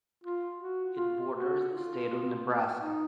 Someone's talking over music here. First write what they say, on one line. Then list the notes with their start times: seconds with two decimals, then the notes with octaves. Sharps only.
It borders the state of Nebraska.
0.24 F4
0.59 F#4
0.96 F4
1.33 F#4
1.69 F4
2.78 D#4